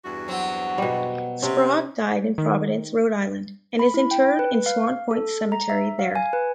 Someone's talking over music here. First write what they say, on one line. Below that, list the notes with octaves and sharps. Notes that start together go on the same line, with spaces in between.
Sprague died in Providence, Rhode Island, and is interred in Swan Point Cemetery there.
E2 G2 F#4
F#3 C4
B2 G3
C3 C#4
D#3
B5
E4
G5
B4
F5
A4
A#5
E5
F5
G#5
B4